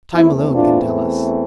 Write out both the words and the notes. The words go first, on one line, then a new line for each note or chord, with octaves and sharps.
Time alone can tell us.
E2 E3 A3 C4 E4
D4 F4